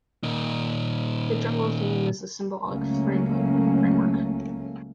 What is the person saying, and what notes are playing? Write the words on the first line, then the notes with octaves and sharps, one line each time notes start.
The jungle theme is the symbolic framework.
A#2 D#3
C#2 F#3 A3 A#3 C#4